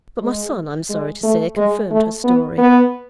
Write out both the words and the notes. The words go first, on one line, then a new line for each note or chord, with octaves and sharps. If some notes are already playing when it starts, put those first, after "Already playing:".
But my son, I am sorry to say, confirmed her story.
G#3
G#3
A3
G#3
A3
B3
B3